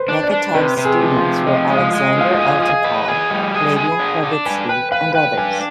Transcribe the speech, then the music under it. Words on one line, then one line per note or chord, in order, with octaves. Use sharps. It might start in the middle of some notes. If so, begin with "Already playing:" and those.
Beketov's students were Alexander Eltekov, Flavian Flavitsky and others.
Already playing: B4 C5
D4
D5
D4
C3 B4
C3
G#4
F3
F4
C3
F3 D#5
G#3
F5
G#3
D#5
F3 F5
D#5
G#4
F5
G#4 D#5
F5
B4 D#5
G#4
G3 D#5
G#4
G5
G#4
B5
D4
D4
B4 G#5
B4 G5
B4 F5
B4 G5
D4 G#5